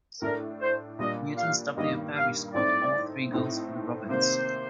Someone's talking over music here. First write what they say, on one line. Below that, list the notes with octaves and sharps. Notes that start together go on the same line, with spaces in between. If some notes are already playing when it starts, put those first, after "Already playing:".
Newtown's W. Parry scored all three goals for the Robins.
A2 A3 D4 A#4
C5
A#2 G3 A#3 D4 D#5
F5
G2 D#3 G3 A#3 D#5
F5
A2 A3 C4 D#4 D5
A2 A3 C4 D#4
C3 D#3 A#3 C5